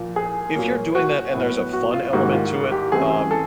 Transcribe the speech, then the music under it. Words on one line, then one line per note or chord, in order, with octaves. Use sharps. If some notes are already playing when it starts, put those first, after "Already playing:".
if you're doing that and there's a fun element to it, um,
Already playing: A#2 F3 A#3
G#4
A#2 F#3 A#3
F#4
A2 F#3 B3
F#4
F4
G#2 D#3 G3 A#3 F#4
F4
G4
C#3 E3 A3 C4 G#4
A4